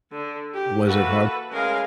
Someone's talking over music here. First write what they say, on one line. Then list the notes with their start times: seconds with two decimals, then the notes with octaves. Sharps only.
Was it hard?
0.12 D3
0.54 G4
0.86 E3 A#3 F#4 A4 B4
1.52 A2 C#3 G#3 A#4 F5